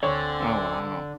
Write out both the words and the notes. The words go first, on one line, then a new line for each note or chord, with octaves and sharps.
Oh, wow.
D2 D3 C4 D4 C#5 D5 G#5